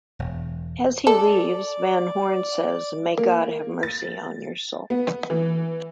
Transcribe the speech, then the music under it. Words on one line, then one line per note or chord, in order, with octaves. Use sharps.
As he leaves, Van Horn says, May God have mercy on your soul.
E1
A4 D5
A#3
A6
B3
E3